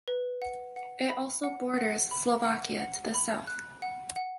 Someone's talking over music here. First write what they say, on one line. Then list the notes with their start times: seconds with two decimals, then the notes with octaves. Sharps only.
It also borders Slovakia to the south.
0.08 B4
0.42 F#5
0.76 F#5
1.09 B5
1.44 F#5
1.78 F#5
2.11 B5
2.45 F#5
2.80 F#5
3.14 B5
3.47 F#6
3.82 F#5
4.16 F#5